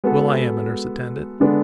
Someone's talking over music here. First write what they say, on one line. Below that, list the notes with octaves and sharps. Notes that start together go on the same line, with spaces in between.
Well, I am a nurse-attendant.
G#3 B3 F#4 A4
D3 G#3 B3 D4 A4